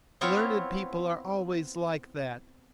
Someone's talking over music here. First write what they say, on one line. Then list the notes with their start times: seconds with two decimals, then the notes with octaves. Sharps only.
Learned people are always like that.
0.21 B3 C4 E4 F4 C#5